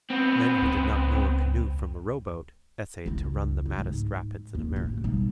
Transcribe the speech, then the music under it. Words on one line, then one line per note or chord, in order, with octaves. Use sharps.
Men who did not know a canoe from a row-boat essayed to run the maddest rapids in America.
B3 C4
C#2
C#2 E4
C#2
G#2
D#2
A2 C#4
B1 G3